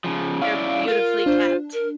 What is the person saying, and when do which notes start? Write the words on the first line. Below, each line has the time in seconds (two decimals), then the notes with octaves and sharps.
They're beautifully kept.
0.04 C#3 F3
0.42 C#4 E4 D5 F5
0.88 F4 A#4
1.26 D4 C5
1.73 A#4